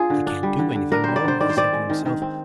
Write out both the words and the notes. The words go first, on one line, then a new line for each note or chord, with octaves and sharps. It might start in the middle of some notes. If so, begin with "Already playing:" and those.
"I can't do anything more," he said to himself.
Already playing: D4 F4 G#4
D3
D4
G3
D3
D3
D4 A#4
G3 C5
D5
D3 C5
D#3 D5
C5
C4 D5
G#3
D#3
D#3
C4